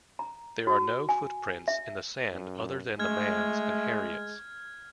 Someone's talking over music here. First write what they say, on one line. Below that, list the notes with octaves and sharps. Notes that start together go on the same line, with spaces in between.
There are no footprints in the sand other than the man's and Harriet's.
A#5
F#4
G#5
E5
F#2
G#3 A3 F6 G#6